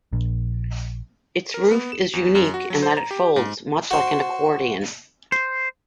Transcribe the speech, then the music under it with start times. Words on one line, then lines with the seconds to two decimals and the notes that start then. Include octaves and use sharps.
Its roof is unique in that it folds much like an accordion.
0.13 A#1
1.54 A#4
1.71 B3
1.92 E7
2.13 E2
2.35 F#2
2.54 F#4
2.70 F#3
2.83 C5
2.97 A#5
3.11 G4
3.36 G#2
3.91 F#4 C5
5.32 C5